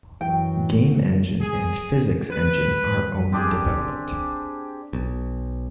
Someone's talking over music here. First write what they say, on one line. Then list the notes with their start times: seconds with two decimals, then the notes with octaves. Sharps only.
Game engine and physics engine are own developed.
0.21 F#2 E3 F#3 G5
1.42 G#4
2.32 B4
3.32 C4 D4 G4 G#4
4.93 B1